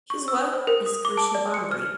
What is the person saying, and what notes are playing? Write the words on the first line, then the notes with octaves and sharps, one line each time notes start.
His wife is Krishna Bhambri.
C#6
E6
C5
A#4
D#6
D6
A5
D5
C#7
F6